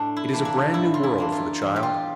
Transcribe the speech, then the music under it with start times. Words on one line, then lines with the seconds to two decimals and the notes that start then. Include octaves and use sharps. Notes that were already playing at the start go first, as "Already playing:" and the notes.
It is a brand-new world for the child.
Already playing: A2 D4
0.16 E4
0.30 E3 A#3 D4
0.45 D4
0.74 A2 E4
0.94 F4
1.03 E4
1.18 E3 A#3 D4
1.32 F4
1.62 E2
1.76 G4
1.83 F4